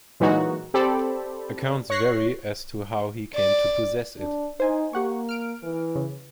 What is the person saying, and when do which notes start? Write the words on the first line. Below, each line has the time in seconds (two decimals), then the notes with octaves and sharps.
Accounts vary as to how he came to possess it.
0.20 A#2 E3 F#3 G#3 D#4 F#4
0.74 C4 G4 A4 C5 D5 B5
1.90 C#5 C#6 F#6 A#6 C7
3.35 D5
4.18 D4
4.60 D#4 C5 G#5
4.93 A#3 G4 F#5 C#6
5.29 F6 D7
5.63 E3
5.96 C#3